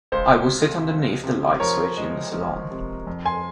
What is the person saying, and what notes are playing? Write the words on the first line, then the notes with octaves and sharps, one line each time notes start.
I will sit underneath the light switch in the salon.
C#2 C5
C3
F3
C3
F3 A#4 C#5
G#3
F3
C3
F2
G#5 C6